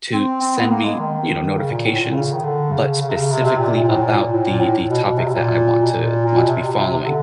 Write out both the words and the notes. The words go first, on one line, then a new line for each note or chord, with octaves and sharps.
to send me, you know, notifications, but specifically about the the topic that I want to want to be following,
C4
C4
B3
A#3
G#3
D#3
C#3
A#2
A2
A#2
D3
C#3
D#3
D3
C#3
C#3
C3
C#3
C3
B2
C3
A#2
A#2
A2
A#2
A#2
A2
A#2
A2
B2
B2
C3
B2
A#2
B2
A#2
A#2
B2
C3
C3
C3
D3